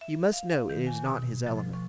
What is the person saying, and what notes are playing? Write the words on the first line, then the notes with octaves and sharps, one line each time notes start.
"You must know it is not his element."
E5
F5
D#3
G#5
B2
F3
C#6